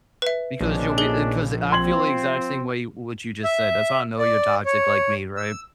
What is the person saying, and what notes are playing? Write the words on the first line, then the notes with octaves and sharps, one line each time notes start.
because you'll be uh, 'cause I feel the exact same way what you just said. That's how I know you're toxic like me, right?
B4 E5
A#1 D#3 C#4 D4
G#4 G7
F3 C4 C6 G#6 F#7
E5
D5
C#5
E6